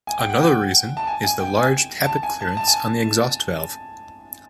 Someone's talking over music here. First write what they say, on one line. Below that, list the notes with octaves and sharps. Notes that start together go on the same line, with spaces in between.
Another reason is the large tappet clearance on the exhaust valve.
G#5
G5
F#5
G5
A5
G#5
G#5
G5
G#5
A5
G#5
A5
A5
G#5